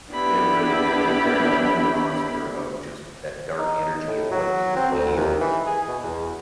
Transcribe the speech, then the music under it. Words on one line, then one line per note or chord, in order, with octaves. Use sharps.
It really did. It created a whole new monster of just that dark energy of what people believe and
B3 D4 E4 G4 B5
D#4
A2
F#3
C4
D2
D#2
E3
G#4
B2
E2